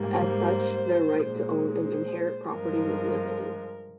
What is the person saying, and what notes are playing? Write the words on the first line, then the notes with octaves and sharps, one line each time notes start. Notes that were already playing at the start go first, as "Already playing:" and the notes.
As such, their right to own and inherit property was limited.
Already playing: G#2 G3 A#3
C5
A#2 G#3
C5
G2 F3 G#3 A#4